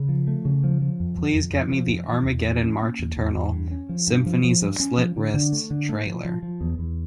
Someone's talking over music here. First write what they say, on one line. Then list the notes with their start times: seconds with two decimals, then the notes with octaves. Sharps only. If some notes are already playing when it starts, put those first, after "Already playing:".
Please get me the Armageddon March Eternal – Symphonies of Slit Wrists trailer.
Already playing: C#3
0.09 F3
0.28 A3
0.45 C#3
0.64 F3
0.82 F3
1.00 F2
1.18 F2
1.36 F2
1.54 F2
1.72 F3
1.90 F2
2.08 E3
2.27 E2
2.44 E3
2.63 C#4
2.81 A#3
2.99 E2
3.17 E2
3.35 E2
3.53 G2
3.71 C#4
3.89 F3
4.07 G2
4.26 F3
4.44 F3
4.62 G2
4.80 C#4
4.98 F3
5.16 D3
5.34 D3
5.52 A3
5.70 D3
5.89 A3
6.06 F3
6.25 F3
6.43 F3
6.61 E2
6.79 E2